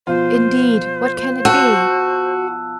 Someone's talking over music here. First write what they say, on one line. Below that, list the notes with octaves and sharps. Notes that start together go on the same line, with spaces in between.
"Indeed! what can it be?"
B2 F3 F4 C5
F#4 A5 E6 F#6